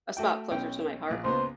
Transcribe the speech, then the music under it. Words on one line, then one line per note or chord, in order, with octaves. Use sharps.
a spot closer to my heart.
A3 F#4 G5
B1 C#4 G5
A#1
C#2 A#3 B3 C5